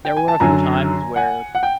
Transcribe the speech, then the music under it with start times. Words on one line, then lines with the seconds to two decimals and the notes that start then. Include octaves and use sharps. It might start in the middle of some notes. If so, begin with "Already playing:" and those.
there were a few times where
0.05 G5
0.17 G#5
0.28 A5
0.40 F#2 D3 F#3 G#5 A#5
1.16 F#5 G#5
1.55 F#5
1.63 G5